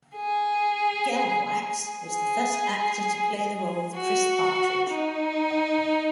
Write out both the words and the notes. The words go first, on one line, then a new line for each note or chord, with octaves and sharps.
Gelbwaks was the first actor to play the role of Chris Partridge.
G#4
G#4
F#4
D#4